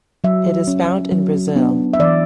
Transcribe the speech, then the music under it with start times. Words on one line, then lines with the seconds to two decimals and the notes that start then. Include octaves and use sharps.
It is found in Brazil.
0.24 F#3 E5
0.67 C#4
1.12 F#3
1.56 B3 D4
1.93 E5
1.99 E3 D5